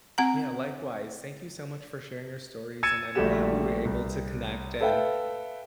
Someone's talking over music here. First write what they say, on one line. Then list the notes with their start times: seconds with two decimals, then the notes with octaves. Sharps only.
Yeah, likewise. Thank you so much for sharing your stories, and I'm glad we were able to connect and
0.18 C4 F#5 A#5
2.83 E6 G#6 A6 C#7 D#7 E7
3.15 A#1 G3 A3 F#4 G4 E7
3.85 C2
4.81 A4 B4 E5 F5 G5